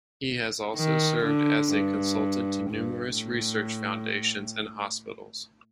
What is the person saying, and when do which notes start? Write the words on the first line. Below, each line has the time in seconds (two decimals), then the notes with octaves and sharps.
He has also served as a consultant to numerous research foundations and hospitals.
0.76 D#3
1.24 D3
1.73 G2
2.70 G2
3.17 A2